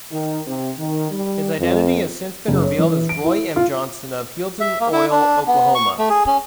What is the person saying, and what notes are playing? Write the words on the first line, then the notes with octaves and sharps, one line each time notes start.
His identity has since been revealed as Roy M. Johnson of Healdton Oil, Oklahoma.
D#3
C3
D#3
G3
F2
F#1
C#5
E3
D7
E4
F4
E5
A#3
E4
D4
B3
C#6
A3
G#4
C#4